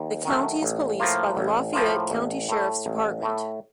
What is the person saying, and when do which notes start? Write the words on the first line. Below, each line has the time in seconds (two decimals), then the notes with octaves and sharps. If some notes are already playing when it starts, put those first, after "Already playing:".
The County is policed by the Lafayette County Sheriff's Department.
Already playing: D#2
0.25 D#3 F#3 A3
0.63 A1
1.00 A2 F3 A#3 F4
1.37 A1
1.73 A2 F3 A#3 F4
2.11 A1
2.49 A2 A3
2.86 A1
3.23 A2 A3